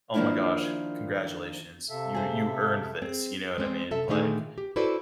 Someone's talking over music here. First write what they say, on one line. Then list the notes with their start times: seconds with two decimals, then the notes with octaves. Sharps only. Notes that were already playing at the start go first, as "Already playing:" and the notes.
"Oh my gosh, congratulations, you you earned this." you know what I mean, like,
0.14 D#3 F3 A#3 D4 E4 F4
1.89 C3 A4 E5 F5
2.15 G#4 C5
3.02 C4 G#4
3.58 G#3 C4
3.91 C3 A4 E5
4.08 A#2 D3 D#3 A3 D#4 G#4
4.58 G4
4.76 E4 F#4 A4 B4 C5 D5